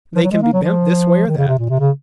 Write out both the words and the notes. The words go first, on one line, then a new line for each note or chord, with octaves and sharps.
They can be bent this way or that.
F3
F#3
G#3
A#3
F#3
F3
D#3
C#3
C3
A#2
C3
C#3